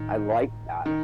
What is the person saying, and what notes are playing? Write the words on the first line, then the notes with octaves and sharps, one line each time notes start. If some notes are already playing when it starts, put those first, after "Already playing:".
I like that.
Already playing: A2 D#3
D#3